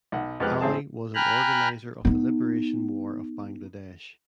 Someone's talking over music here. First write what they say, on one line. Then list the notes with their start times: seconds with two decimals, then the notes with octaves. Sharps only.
Ali was an organizer of the Liberation War of Bangladesh.
0.12 B1 F#5
0.40 F2 G#3 B3 G4 F6 F#6
0.61 A1 C4 G#4 A5
1.15 G5 G#5 A#5 B5 F6 F#6
2.05 B3 D#4